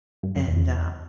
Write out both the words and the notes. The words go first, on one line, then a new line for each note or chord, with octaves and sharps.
and uh
G2
F#2
E2
F2
E2